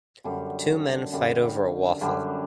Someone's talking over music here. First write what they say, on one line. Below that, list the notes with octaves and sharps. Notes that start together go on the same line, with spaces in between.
Two men fight over a waffle.
F#2 D3 G3
F#2 D3 G3
F#2 D3 G3